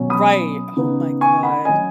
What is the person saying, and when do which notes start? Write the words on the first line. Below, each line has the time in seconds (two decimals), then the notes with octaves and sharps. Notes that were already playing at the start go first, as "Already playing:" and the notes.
Right. Oh my god.
Already playing: B2 F#3 C#4
0.10 B5 D#6
0.77 C#3 B3 D#4
1.21 G#5 C#6
1.43 F#5 B5
1.65 F#3 C#4 D#5 G#5